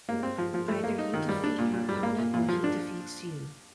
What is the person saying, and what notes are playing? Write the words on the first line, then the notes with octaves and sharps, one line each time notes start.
Either you defeat your opponent or he defeats you.
A#3
C4
F3
F3
A3
A#3
D#4
D#3
G3
D4
A#2
A#2
G3
A#3
A#2
A#2
F3
D4